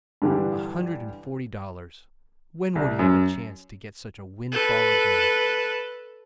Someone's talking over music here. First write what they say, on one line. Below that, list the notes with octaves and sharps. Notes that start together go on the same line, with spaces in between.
A hundred and forty dollars; When would he have a chance to get such a windfall again?
G2 D3 E3 G3
C2
F#2
A4 B4